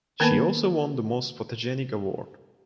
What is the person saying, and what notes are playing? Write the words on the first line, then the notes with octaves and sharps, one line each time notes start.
She also won the Most Photogenic Award.
D#3 A#3 B3 B4 A5 B5